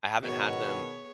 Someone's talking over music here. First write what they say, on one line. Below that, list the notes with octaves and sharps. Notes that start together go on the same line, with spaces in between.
I haven't had them
B2 D#3 B3 F#4 G#4 C#5